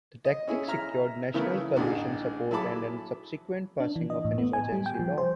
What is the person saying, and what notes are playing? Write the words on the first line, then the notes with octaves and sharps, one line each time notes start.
The tactic secured National Coalition support and the subsequent passing of an emergency law.
D#5
C#4 E4 G#4
E5 A#5 F6
C#3 E3 A3 B3 E4 A#4
A1 D3 D4 D#4 G#4
F#3 E4 G#4 A5 B5 D6
D4
E3
D#5
A2
B3
G#5
G3
G5
F3
C5